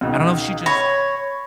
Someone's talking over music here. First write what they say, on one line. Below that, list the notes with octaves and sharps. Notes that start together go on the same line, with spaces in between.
I don't know if she, just
C#2 B2 D#3
C#5 B5 A#6